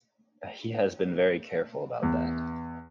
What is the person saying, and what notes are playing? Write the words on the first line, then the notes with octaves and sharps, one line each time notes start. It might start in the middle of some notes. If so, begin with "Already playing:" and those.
He has been very careful about that.
E2